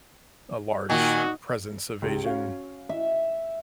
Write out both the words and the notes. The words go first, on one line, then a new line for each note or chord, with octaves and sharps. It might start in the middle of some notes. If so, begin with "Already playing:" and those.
a large presence of Asian,
A#2 D#3 F#4 G#5
C#2 G4
C#4 F#4 F5
E5